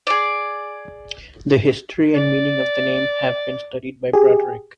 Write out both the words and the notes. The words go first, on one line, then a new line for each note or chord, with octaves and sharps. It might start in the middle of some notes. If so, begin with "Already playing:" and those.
The history and meaning of the name have been studied by Broderick.
G#4 D5
D5
G4 G#4